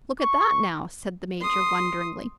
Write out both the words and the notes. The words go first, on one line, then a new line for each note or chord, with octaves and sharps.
"Look at that, now!" said the Major, wonderingly.
C#6
C6 D#6